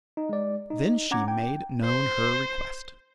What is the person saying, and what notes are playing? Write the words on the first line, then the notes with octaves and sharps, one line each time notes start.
Then she made known her request.
D#4
G#3 D5
D#4
C#4 F#5 A#5 D6 G#6
G5
C5